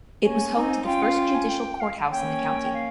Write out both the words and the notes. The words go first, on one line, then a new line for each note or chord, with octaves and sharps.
It was home to the first judicial courthouse in the county.
A#3 C#4 G#5
C4 D#4
C#4 F4 G5
F5
G5
G#5
G5
F5
A#3 C#4 G5
F5